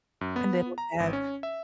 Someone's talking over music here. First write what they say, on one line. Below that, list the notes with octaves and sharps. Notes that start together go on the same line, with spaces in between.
And then we have,
F#2
B3
A#5
G#1
C#4
E5